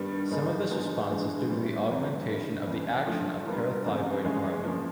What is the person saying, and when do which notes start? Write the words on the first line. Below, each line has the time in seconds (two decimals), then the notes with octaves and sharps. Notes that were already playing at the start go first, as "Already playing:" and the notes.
Some of this response is due to augmentation of the action of parathyroid hormone.
Already playing: G2 D#3 G3 B3
0.30 G#2 D#3 G#3 B3 D#4
0.70 D3 F3 G#3 B3 D#4
1.10 G2 E3 G#3
1.49 A2 E3 G3 C4
1.88 F2 C3 E3 G3 C4
2.27 G2 D#3 G3
2.67 F2 C#3 E3
3.06 D3 F3 A3
3.46 G3 B3 D4 F4 A#4
3.86 F#2 C#3 E3 A3 C4
4.25 E3 G#3 C#4
4.64 F3 A#3 C#4